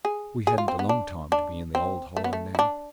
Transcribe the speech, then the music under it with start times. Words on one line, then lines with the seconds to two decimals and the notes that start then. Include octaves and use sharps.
We hadn't a long time to be in the old Hollow now.
0.05 G#4
0.47 G#4
0.58 F4
0.68 C4
0.79 B3
0.89 D4
1.32 D4
1.75 C4
2.17 A3
2.24 B3
2.33 A3
2.55 E4
2.59 D4